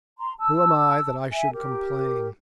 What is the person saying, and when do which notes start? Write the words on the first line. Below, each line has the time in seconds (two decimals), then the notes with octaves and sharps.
Who am I that I should complain?
0.18 A#5 C6
0.40 A5 E6
1.32 E5 G#5
1.53 G4 A#4